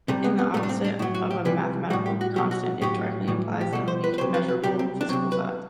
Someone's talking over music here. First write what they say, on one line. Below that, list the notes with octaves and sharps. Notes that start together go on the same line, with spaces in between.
In the opposite of a mathematical constant, it directly implies a measurable physical size.
C3 G3 A3
B3
B3
A2 G3 A3
D4
C4
D4
A2 F#3 E4
F#4
G4
C3 E3 G3 B4
A2 G3 F#4
G4
F#4
B2 F#3 G4
F#4
A2 F#3 G4
A2 E3 G3
G4
B2 G3 A4
C5
B4
B4
C3 F#3 C5
B4
B4
C3 G3 G4
C4
D4
C3 F#3 C4
B4